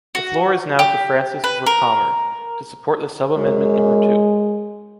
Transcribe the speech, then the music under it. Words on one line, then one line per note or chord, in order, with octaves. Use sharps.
The floor is now to Francis Vercamer, to support the sub-amendment number two.
F#4
G4
B4
A#4
F#2 G#3